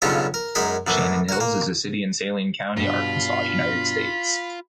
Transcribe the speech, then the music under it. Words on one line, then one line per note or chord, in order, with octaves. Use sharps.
Shannon Hills is a city in Saline County, Arkansas, United States.
B1 G2 C#3 C#4 F4 A4
A#4
F#2 G#3 D#4 A#4 B5
F#2 A2 E3
F#4 A#4
A#3
G2 B2 F4 B5